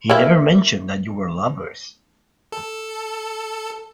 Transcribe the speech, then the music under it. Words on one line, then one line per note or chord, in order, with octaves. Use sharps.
He never mentioned that you were lovers.
A#3 E4
A4